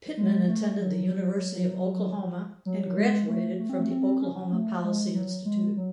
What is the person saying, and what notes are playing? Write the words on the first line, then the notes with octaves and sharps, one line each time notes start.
Pittman attended the University of Oklahoma and graduated from the Oklahoma Policy Institute.
G#3
A3
F#3
F#3
F#3
G#3
A3
A3
C4
A3
C4
C#4
A3
G#3
F#3
G#3
F#3